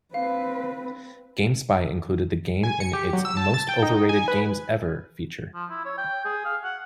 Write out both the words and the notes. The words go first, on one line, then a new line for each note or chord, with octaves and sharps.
GameSpy included the game in its "Most Overrated Games Ever" feature.
C4 B4 F5
G#5
C#7
G4
F#3
E6
A5
A6
G5
D#4
G#5
B4
F3
E4
C#5
G5
G#4
F5
F#5